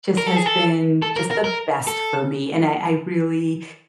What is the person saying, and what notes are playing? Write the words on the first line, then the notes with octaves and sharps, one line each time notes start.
just has been, just the best for me, and I I really
A#4
A4
G#4
A4
A4
A#4
A#4
A#4
A4